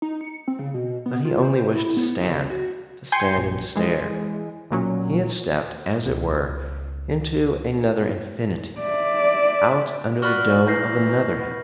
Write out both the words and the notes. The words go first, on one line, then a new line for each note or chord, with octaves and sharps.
But he only wished to stand; to stand and stare. He had stepped as it were into another infinity, out under the dome of another heaven.
D#4
C#7
C4
C#3
B2
B3
F4
C5
E4
B3
C#3
F#4
G5 G#5 C6 G6 C7 C#7
A#1
E3 G#3
B1 A#2 F#3 C#4
C#2 B2
D5 E5
F4 F#4 B4 D5 C#6 F6 F#7
A#2 E3 F#3 B4 G6 A#6 C7
B3